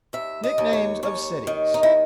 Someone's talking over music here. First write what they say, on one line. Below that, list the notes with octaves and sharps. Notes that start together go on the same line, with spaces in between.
Nicknames of Cities.
D#2 E5
D#5
D#2
C#5
D#2 C#5
D#3
D#4
E4